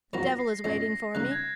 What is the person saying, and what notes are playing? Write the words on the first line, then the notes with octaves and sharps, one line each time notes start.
The devil is waiting for me.
G#2 F3 C4 F#4 A#4 A#6
C7
A#2 G#3 C#4 G#4 A#6
A#6
C#3 G#3 D#4 F#6
G#6